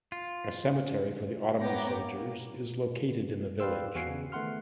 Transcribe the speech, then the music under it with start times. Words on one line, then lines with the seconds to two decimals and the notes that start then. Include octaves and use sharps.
A cemetery for the Ottoman soldiers is located in the village.
0.12 F4
1.60 B3 C#5 G5 A#5 D6
2.00 A#3
3.60 B4 D5 F5 G5 C6 E6
3.95 E2 F#4 F5 F#5 G#5 C7
4.08 C#3 B3
4.32 D#3 A3 B3 F#5 C6 F6